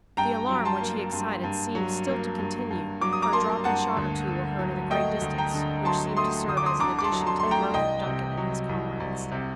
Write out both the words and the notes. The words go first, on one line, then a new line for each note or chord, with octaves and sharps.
The alarm which he excited seemed still to continue, for a dropping shot or two were heard at a great distance, which seemed to serve as an addition to the mirth of Duncan and his comrades.
G2 G5 A#5
F#3
A5 C6
A#3
G2
G2
F#3
A#3
G2
G2
F#3 D6
D#6
A#5 D6
A#3 A5 C6
G2 F#5 A5
D2
D3
F#3
A3 D#5 G5
D2
G5 A#5
D3
F#3 A5 C6
A3 C6 D#6
D2 D#6
D6
C6 D#6
D3 A#5 D6
D6
A5 C6
F#3
A5 C6
A3 C6
G5 A#5
C2 D#5 G5
C3
F#3
C2
C2
C3